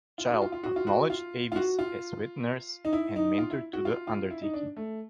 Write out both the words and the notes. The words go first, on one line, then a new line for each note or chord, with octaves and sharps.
Child acknowledged Avis as "wet nurse" and "mentor" to the undertaking.
F4
F#4
F4
F4
F#4
F4
F#4
F4
F4
F#4
F4
D#4
E4
D#4
F4
E4
F#4
F4
F4
E4
D#4
D4
A3